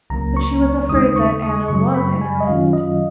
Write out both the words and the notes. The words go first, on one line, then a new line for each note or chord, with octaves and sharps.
But she was afraid that Anna was in earnest.
C#2 C#3 F#3 A#3 A#5
C#6
D#2 C#3 G#3 D#4 D#6
D#6
C#6
D#6
F#2 C#3 F#3 C#6
B5
G#5
D#5
F#2 D#3 F#3 C#4 F4 F5
D#5